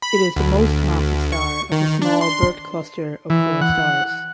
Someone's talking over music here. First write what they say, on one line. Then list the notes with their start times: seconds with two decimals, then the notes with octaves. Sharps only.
It is the most massive star of the small birth cluster of four stars.
0.02 B5
0.36 D2
1.32 C#6
1.72 D#3
2.02 D4
2.21 C6
3.30 E3
3.61 F#5